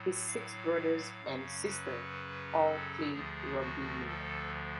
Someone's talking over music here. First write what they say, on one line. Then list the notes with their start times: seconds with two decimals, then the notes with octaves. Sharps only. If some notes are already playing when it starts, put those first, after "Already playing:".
His six brothers and sister all played rugby union.
Already playing: A2 F#3
0.27 F5
1.22 F#2 C#3 F#3
1.70 B4
2.65 A4
3.13 D2 D3 F3 G#4
3.60 F#4
4.08 A4